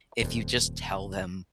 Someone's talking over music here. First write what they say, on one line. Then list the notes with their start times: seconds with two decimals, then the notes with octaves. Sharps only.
if you just tell them,
0.22 D#1 F2